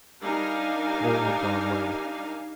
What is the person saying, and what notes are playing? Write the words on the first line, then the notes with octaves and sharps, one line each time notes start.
All had gone well.
G3 D4 D#4 A#4 F5 G#5